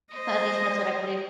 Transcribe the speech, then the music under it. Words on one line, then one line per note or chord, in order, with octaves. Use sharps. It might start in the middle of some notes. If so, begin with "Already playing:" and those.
At least, that's what I believe.
C5 D#5